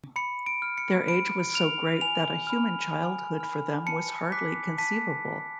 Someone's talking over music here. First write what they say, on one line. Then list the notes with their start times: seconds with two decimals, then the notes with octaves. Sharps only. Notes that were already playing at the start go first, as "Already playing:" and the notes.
Their age was so great that a human childhood for them was hardly conceivable.
0.16 B5 C#7
0.46 D7
0.62 F6
0.78 C#7
1.08 B5 D7
1.54 F6 F7
2.01 G#5 F7
2.47 B5 F6
2.93 G#5
3.40 B5 F6
3.86 A5 C#7
4.32 D6 F#6 B6
4.78 A5 B6